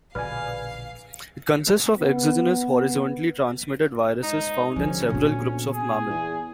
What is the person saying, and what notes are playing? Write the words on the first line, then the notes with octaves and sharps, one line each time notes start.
It consists of exogenous horizontally transmitted viruses found in several groups of mammals.
A#1 B2 D3 B4 D5 F5 G#5 F6
B3
G#2 D#4
G#1 D3 F3 C#4
D2 A#2 B3
G#4
E2